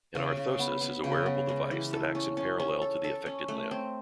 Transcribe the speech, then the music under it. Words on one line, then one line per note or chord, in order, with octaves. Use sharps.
An orthosis is a wearable device that acts in parallel to the affected limb.
C#3
C#3
B3
B3
C#3
B3
G#3
E3
A4
C#4
C#4
C#4
A4
A4
C#4
A3
C4